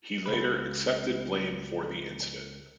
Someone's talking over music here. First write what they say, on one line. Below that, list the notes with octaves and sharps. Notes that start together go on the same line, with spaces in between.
He later accepted blame for the incident.
C#2 B4